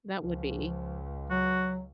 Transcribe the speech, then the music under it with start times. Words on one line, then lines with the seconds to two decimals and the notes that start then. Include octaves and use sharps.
That would be.
0.21 C#2 F3
1.30 F#3 F#4